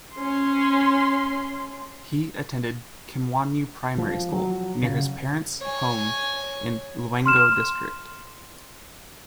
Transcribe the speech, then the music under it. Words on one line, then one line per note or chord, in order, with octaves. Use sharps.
He attended Kimwanyu Primary School, near his parents' home in Lwengo District.
C#4 C6
F3
F#3
C#3
C#5 G#5
C6 F6 E7